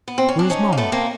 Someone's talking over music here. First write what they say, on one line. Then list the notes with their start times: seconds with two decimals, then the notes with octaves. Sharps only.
Where's mama?'
0.08 B3
0.18 C4
0.29 C#4
0.39 D4
0.50 C#4 D#4
0.73 A#3
0.77 A3 B3
0.92 A#3 C4